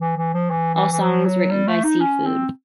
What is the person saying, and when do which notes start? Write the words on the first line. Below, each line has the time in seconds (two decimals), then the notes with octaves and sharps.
All songs written by Seafood.
0.01 E3
0.17 E3
0.34 F3
0.50 E3
0.75 E3
0.92 E3
1.00 F3
1.25 F#3
1.50 G3
1.67 A3
1.84 D#4
2.00 C#4
2.26 C4